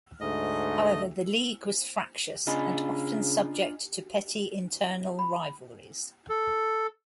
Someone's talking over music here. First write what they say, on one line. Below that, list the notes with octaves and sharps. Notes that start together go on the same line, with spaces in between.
However, the League was fractious and often subject to petty internal rivalries.
D2 G#2 A3 D#5
C#3 D4 F4 D#5 G#5 B5
B5
A4